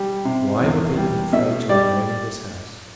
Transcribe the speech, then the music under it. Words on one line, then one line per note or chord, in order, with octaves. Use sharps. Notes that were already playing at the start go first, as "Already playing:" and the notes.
Why were people afraid to remain in this house?
Already playing: G3
C3
E2
G3
B2 E5
G3 D5